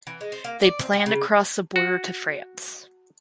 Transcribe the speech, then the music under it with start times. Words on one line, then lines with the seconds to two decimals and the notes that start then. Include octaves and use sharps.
They plan to cross the border to France.
0.07 E3
0.21 G#3
0.32 C5
0.44 A#3
0.61 D5
0.79 C4
0.93 G4
1.06 C#3
1.76 F#4